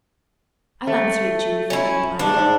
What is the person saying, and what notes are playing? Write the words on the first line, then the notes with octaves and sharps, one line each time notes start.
"I'll answer it, Julie," he replied.
A3
C#4 E4
G2 D4
G#2